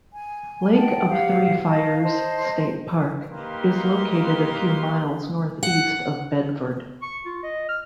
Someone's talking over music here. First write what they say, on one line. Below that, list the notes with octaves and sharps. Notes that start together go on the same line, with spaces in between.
Lake of Three Fires State Park is located a few miles northeast of Bedford.
G#5
D#4 F#5 G5 A5
G4 C5 F5 F#5
D#5 F5 A5
C5 D#5 A5
A#3 D#4 G4 B4 F5 C6
F#5
C#6
F4
D#5
F6